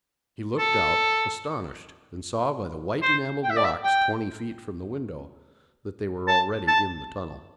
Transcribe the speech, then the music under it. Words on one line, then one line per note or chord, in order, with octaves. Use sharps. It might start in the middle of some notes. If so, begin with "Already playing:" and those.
He looked out, astonished, and saw by the white enamelled walks twenty feet from the window that they were already in the tunnel.
A4
C5
G5
E5
D5
E5
G5
A5
A5